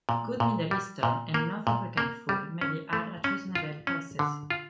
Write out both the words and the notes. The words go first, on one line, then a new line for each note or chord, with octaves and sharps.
Good Middle Eastern and north African food may be had at reasonable prices.
A#2
A#2
G3
A#2
A#3
A#2
A#3
G3
C#4
A3
C#4
F4
C#4
D3
F4